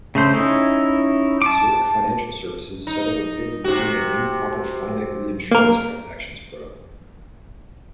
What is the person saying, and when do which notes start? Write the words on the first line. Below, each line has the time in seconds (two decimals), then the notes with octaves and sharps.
Zurich Financial Services settled a bid-rigging and improper "finite reinsurance" transactions probe.
0.15 C#3 A3 C5
0.34 C#4 D#4 E4
1.42 A5 D6
2.87 D#4
3.64 C3 F#4
5.51 A#3 A#4